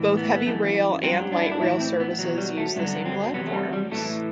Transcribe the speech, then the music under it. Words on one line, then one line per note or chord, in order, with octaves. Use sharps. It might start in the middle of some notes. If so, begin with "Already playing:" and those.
Both heavy rail and light rail services use the same platforms.
Already playing: A2 E3
B3
B3
F#2 E3 A3
G2 F#3 C4
D4
E4
D4
A2 E3 E4
C4
B3
E2 B2 F#3
G3
A3
G2 D3 F#3 B3
C4
E2 C3 F#3 B3
A3
G3
G3
A2 E3 A3